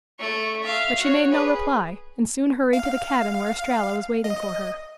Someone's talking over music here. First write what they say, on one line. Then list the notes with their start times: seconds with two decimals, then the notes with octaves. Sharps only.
But she made no reply, and soon hurried to the cabin where Estralla was waiting for her.
0.19 A3 C#6
0.62 E5 F5
0.99 F#4 C#5
1.30 G#4 B4
2.73 F5
4.24 D#5